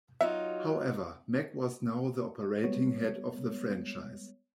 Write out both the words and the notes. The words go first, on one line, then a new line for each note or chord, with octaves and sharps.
However, Mack was now the operating head of the franchise.
F#3 D#4 F4 E5
G3 G#3 B3 C#5